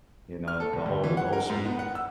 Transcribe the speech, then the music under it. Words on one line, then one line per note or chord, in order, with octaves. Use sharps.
you know, the whole the whole spiel.
F6
A4
C#2
D2
E3
F#5
A#4
G#2
B3
F#5
E6